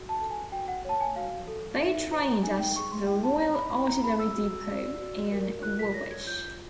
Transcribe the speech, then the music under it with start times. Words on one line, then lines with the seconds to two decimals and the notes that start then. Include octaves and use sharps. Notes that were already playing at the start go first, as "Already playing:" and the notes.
They trained at the Royal Artillery Depot in Woolwich.
Already playing: F#4
0.09 A5
0.20 A4
0.31 G#5
0.52 F#4 G5
0.68 F#5
0.85 C#5 A5
1.01 G#5
1.16 F#4 F5
1.48 A4
1.80 D#4 E5
2.11 C5 A#5
2.43 D#4 G#5
2.59 G5
2.75 G#4 C#6
2.92 C6
3.07 E4 G5
3.24 A5
3.39 C#5 A#5
3.55 B5
3.71 E4 B5
3.87 A#5
4.03 G#4 B5
4.19 E6
4.35 F#4
4.67 D5
4.99 F#4
5.31 A#4
5.62 F4 F#6
5.79 B6
5.94 C#5 A#6
6.11 G#6
6.27 F4 G6